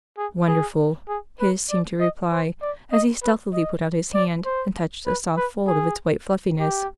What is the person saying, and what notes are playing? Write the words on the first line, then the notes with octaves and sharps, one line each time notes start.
"Wonderful!" his seemed to reply, as he stealthily put out his hand and touched a soft fold of its white fluffiness.
G#4
G#4
G#4
B4
D5
D#5
C5
D5
D#5
B4
D#5
D5
C5
B4
B4
G#4
G4